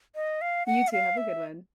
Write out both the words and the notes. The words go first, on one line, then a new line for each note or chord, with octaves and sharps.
You too, have a good one.
D#5
F5
F#5
E5
F5
E5